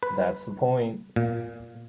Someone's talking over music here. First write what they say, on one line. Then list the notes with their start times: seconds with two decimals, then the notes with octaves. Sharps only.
That's the point.
0.03 B4
1.16 A#2